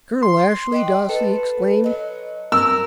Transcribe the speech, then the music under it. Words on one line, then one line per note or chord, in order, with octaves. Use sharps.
"Colonel Ashley!" Darcy exclaimed.
C6
D#4 G4 B4
F4 F#4 A4 B4
F#3 D#4
A#4 A5 E6